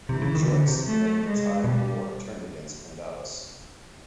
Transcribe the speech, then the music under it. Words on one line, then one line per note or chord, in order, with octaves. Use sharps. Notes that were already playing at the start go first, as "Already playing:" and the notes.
He rejoiced whenever the tide of war turned against Pandavas.
C3 E3
C#3
D#3
D3
C3
A3
G#3
B2 G3